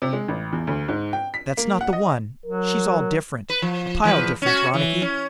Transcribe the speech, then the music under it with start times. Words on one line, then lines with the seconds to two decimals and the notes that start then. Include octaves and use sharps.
"That's not the one. She's all different, a pile different, Ronicky."
0.02 C3
0.13 G#3
0.28 A1
0.53 E2
0.67 D2
0.88 G#2
1.13 G5
1.34 B6
1.57 A#3
1.81 F#5
1.93 D#5
2.46 F#3 A#4
3.50 B4
3.62 F3
4.04 E2 F3 B4
4.42 C#4 F#4
4.74 E3
5.02 C#4